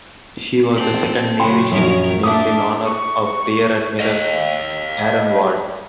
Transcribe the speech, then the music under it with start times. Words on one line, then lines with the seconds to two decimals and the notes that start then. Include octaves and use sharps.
She was the second Navy ship named in honor of Rear Admiral Aaron Ward.
0.76 C4 A4
1.40 F#2 C#3 F#4 G5 B5 C6
1.71 A#1 F#2 D#3 A#4 C#5
2.23 A3 D4 A4 E5 D6 D#6
2.85 C#6
4.00 D#5 F5